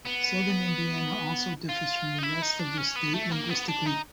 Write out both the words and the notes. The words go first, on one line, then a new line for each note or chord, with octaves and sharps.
Southern Indiana also differs from the rest of the state linguistically.
B3
F4
D#4
E4
D#4
D4
C#4
B3
A3
A#3
B3
D4
D#4